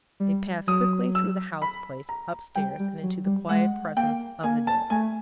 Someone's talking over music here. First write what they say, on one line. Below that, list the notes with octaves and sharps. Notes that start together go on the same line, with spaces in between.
They passed quickly through the house-place, upstairs, and into the quiet presence of the dead.
G3
F#3 D#6
E6
B5
A#5
G3 G5
G3
F#3
G3
G#3 F#5
A#3 G5
A#3 G#5
A5
A3 G#5